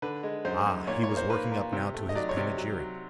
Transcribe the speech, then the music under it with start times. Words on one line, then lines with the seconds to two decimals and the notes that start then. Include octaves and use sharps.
Ah! he was working up now to his panegyric!
0.02 D3 B4
0.23 G#3
0.45 F#2 C5
0.66 F#2
0.87 A#2 C#5
1.04 C#5
1.09 A#3
1.17 C5
1.30 A#3 B4
1.51 A#2
1.73 C3
1.94 A3
2.09 D#5
2.16 F#3 D5
2.29 C#5
2.37 C3 D5
2.58 F#3
2.79 F#3